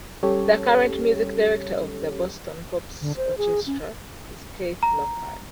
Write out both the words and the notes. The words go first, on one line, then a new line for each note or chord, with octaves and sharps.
The current Music Director of the Boston Pops Orchestra is Keith Lockhart.
G3 C#4 G4 A4 C#5
D3
C5
G#4
C#4
A#5